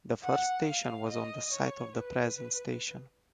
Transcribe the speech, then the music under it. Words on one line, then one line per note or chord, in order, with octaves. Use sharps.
The first station was on the site of the present station.
F#5
F5
D#5
C#5
B4